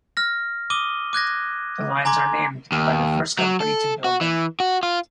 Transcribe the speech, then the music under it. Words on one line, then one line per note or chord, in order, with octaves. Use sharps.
The lines are named by the first company to build them.
F6 A#6
D6 D#6 D#7 G7
D6 F#6 G#6 A#6
G#5 A#5 C6 D6 G#6
D#2
F#3
A4
F#4
E3
F#4
F4